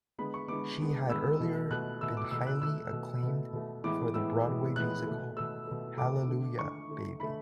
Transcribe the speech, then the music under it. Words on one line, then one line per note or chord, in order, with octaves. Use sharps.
She had earlier been highly acclaimed for the Broadway musical Hallelujah, Baby!
D3 G#3 B3 B5
C#6
D3 G#3 B3 D6
D3 G#3 B3
D3 G#3 B3 E6
B2 A3
B2 A3 F#6
B2 A3 E6
D6
B2 A3 E6
F#6
B2 A3 E6
B2 A3
B2 A3
B2 A3
A2 E3 G#3 B3 D6
A2 E3 G#3 B3 E6
A2 E3 G#3 B3
A2 E3 G#3 B3 F#6
B2 A3
B2 A3 E6
B2 A3
B2 A3 D6
D3 A3
D3 A3 C#6
D3 A3
D3 A3 B5